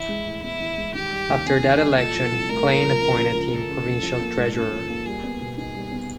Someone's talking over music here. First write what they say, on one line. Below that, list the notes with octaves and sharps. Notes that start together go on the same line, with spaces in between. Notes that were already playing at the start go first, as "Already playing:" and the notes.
After that election Klein appointed him Provincial Treasurer.
Already playing: E3 E4
G#3
A2
B3 E4
E3
G#3
D#3 G4
G3
D#2
B3 G#4
D#3
G3
A#2 A4
F3
C2
A3 A#4
A#2
F3
C#3
F3
C#2
C#2 A4
C#3
F3
F3
A#3
G#2
C#4 A4
F3
A#3
G3 G#4
B3
B2
D#4 G#4
G3
B3